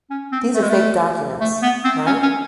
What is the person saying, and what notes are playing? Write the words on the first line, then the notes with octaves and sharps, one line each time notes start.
These are fake documents, right?
C#4
C4
A3
G#3
A3
A3
B3
C4
C#4
C#4